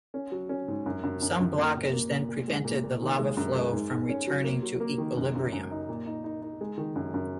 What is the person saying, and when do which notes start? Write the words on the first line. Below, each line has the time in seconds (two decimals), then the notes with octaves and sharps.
Some blockage then prevented the lava flow from returning to equilibrium.
0.14 C#4
0.32 F#3
0.49 C#4
0.68 G#2
0.86 F#2
1.03 F#2
1.22 F#2
1.40 F#2
1.58 A#3
1.76 A#2
1.93 A#3
2.11 A#2
2.29 A#2
2.48 G#3
2.65 A#2
2.83 A#2
3.02 D#3
3.19 G#3
3.37 F#2
3.56 G#3
3.73 G#2
3.91 G#2
4.09 C#4
4.27 F#3
4.44 A#3
4.63 F#3
4.80 A#3
4.98 D#3
5.17 F#2
5.35 F#2
5.52 F#2
5.71 D#4
5.89 A#2
6.07 D#4
6.24 D#4
6.42 D#4
6.61 G#3
6.78 D#3
6.96 F#2
7.14 F#2